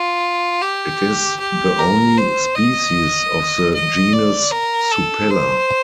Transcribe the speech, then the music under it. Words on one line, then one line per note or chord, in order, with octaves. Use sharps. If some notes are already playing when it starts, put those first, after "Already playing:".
It is the only species of the genus Supella.
Already playing: F4
G4
G4
A#4
C5
D#5
D#5
D5
A#4
A4
C5